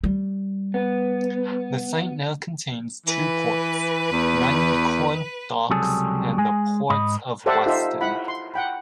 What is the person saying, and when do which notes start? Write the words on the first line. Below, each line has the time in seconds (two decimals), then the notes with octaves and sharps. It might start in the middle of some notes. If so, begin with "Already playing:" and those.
The site now contains two ports, Runcorn Docks and the Port of Weston.
0.04 G3
0.74 B3
3.06 E3 B4
4.12 E2
5.70 C#2 C3 F#3 G3 G#4 A4
6.38 G#3 G#4 G#5
6.90 G#2 D#5 B5
7.46 G4 A4 C5 D5 E5 F#5
7.66 D#4 F4 G4 A4 C5 E5
8.01 E4 F#5 B5
8.28 C6
8.54 F#5 G5 B5